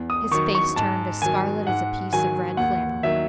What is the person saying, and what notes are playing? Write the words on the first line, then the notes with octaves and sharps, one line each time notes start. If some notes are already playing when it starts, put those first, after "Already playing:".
His face turned as scarlet as a piece of red flannel.
Already playing: E2
D#6
D#3 F#3 C#6
C#6
G#2 A5
D#3 F#3 G#5
G#2 F#5
D#3 F#3 G#5
D#2 F#5
D#3 F#3 E5